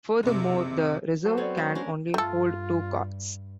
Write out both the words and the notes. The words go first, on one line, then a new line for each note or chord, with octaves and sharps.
Furthermore, the reserve can only hold two cards.
F#1 C3
F#3 F#4 A4 C5
B3 C4 A4 C#5 D5
A3 C#4
C#4 D4 A#4
G2 A3 F4 A4